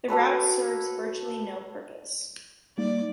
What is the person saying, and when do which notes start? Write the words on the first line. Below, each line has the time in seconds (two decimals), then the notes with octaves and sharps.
The route serves virtually no purpose.
0.08 F#4 A4 B4 C#5
2.78 G3 A#3 D#4 D5